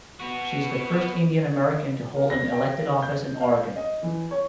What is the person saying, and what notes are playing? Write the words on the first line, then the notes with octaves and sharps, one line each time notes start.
She is the first Indian American to hold an elected office in Oregon.
B3 F#4
A#4
A#6
G5
G6
F5
D#5
E3
C#5